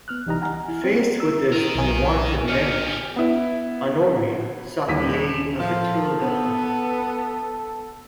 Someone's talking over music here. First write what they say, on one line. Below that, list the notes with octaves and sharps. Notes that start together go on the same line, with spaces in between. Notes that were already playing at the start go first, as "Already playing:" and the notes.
Faced with this unwanted marriage, Honoria sought the aid of Attila the Hun.
B3 F6 F#6
C2 E3 D#4 G4 D#5 A#5
F#5 G#5 A#5 F6
E4
C4
E4 A#4 E6
E4 A#4 D#5
B1 G#5
G4 G#4 C#5 D#5 F6 C#7
B3 E4
D#1 D#2 B6
F3 A4
B3